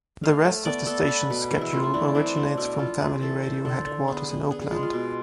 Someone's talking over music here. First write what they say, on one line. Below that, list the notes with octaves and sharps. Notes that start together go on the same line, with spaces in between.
The rest of the station's schedule originates from Family Radio headquarters in Oakland.
A3 F5
A3
B3 D5
B3 A4
B3 B4
B2 B4
E3 G#4
E4
A3 F4
E4
E3 D4
D4
E3 C4
A3 D4
B2 E4
A3 F4
C3 G#4
E3 A4
B4
E3 C5
C5
D3 A4
D3
B3 G#4
B3
B3 G#4
G#4
G#3 F4
F4
B2